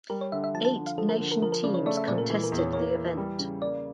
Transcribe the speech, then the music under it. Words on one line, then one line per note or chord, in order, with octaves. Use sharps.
Eight nation teams contested the event.
G3 A#4
C#5
D3 E5
E5
F3 A5
A5
D3
F5
F3 A4
A#4
D3
A#4
F3 A#4
A#4
C#3 D5
C#5
A3 D5
E5
A#2 D5
A#4
E3 A4
A#4
E2
C#5
A#3 C#5
E3
G3
C#3
A#3 D5